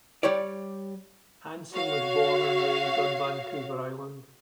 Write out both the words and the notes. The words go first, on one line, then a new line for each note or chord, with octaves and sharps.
Hansen was born and raised on Vancouver Island.
G3 G4 C#5 D5
F#4 C#5 F5